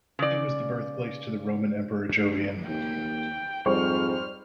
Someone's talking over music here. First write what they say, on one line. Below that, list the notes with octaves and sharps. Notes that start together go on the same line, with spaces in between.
It was the birthplace to the Roman Emperor Jovian.
C#3 D5
D#2 G5
F2 G#2 G3 C5 C#6 F6